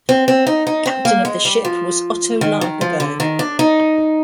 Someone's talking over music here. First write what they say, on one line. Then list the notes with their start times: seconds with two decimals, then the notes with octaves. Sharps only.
Captain of the ship was Otto Lagerberg.
0.09 C4
0.28 C4
0.47 D#4
0.67 D#4
0.86 C4
1.05 A#3
1.25 G#3
1.45 G3
1.65 F3
2.41 D#3
2.61 D#3
2.81 F3
3.00 D3
3.20 D#3
3.39 D4
3.59 D#4